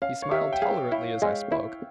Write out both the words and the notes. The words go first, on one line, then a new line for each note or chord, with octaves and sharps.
He smiled tolerantly as I spoke.
C#4 F5
C#5
G4 E5
G5
G#4 F5
E4
G#3
E4